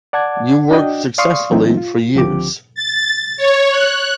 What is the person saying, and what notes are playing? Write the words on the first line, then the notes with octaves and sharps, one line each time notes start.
You worked successfully for years.
D5 F#5 A5 D6 G#6
D4 F#4 D5 D#5 G5
D5 F5 C6 C#6 D#6
E3 F#3 A3 C4 D#4 E4
F4
C#2 D3 F3 C4 G4 D6
A6
C#5
F#6